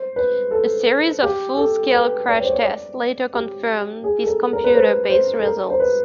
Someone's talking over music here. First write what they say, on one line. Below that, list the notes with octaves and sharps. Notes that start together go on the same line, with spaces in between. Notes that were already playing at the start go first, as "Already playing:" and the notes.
A series of full-scale crash tests later confirmed these computer-based results.
Already playing: C5
B4
A4
G4
A4
B4
D5
C#5
C5
C#5
D5
G4
G#4
A4
A#4
A#4
B4
C5
C5
A4
A#4
C5
B4